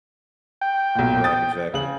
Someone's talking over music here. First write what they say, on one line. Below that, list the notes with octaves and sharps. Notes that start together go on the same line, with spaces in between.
Right, exactly.
G5
B1 A#2
D#6 A6
C#3 F#7